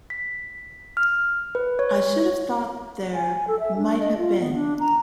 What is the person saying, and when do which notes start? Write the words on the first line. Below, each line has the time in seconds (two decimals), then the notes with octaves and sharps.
I should have thought there might have been.
0.10 B6
0.97 F6
1.55 B4
1.79 C#5
3.14 G#5
3.48 A4
3.60 E5
3.77 D4
3.99 D#5
4.18 F4
4.40 B3
4.54 D4
4.80 A#5